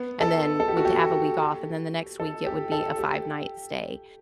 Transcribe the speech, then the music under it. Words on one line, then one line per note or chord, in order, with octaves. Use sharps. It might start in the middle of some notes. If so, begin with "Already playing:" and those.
and then we'd have a week off, and then the next week, it would be a five-night stay.
Already playing: B3
A4
A4
G4
F#4
G4
A4
G4
A4
G4